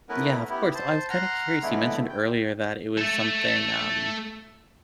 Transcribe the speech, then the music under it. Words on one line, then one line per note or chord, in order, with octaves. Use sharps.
Yeah, of course. I was kinda curious, you mentioned earlier that it was something, um
A3 B3 C#4 E4 A#4 B4
B3 E4 G4
C5 A5
F#5 A#5 C6 F6
D3 E3 G#3 A3 B3 E4
G5
A3 A4